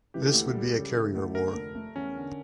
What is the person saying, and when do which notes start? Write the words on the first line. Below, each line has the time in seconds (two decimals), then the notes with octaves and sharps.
This would be a carrier war.
0.14 E3 G4
0.22 A4
0.29 D2 G4
0.55 G3
0.75 C#3
0.95 E3
1.15 D2
1.35 D3 A#4
1.55 F1
1.75 A3
1.96 E2 C#4
2.16 D3